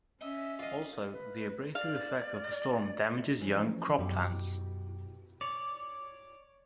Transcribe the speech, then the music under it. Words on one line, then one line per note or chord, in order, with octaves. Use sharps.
Also the abrasive effect of the storm damages young crop plants.
C#4 D#5 E5
F4 D5 D#5 F5
B4
D5 F5
E3 F3 C#4
F#2 B2 G4
C#5 D5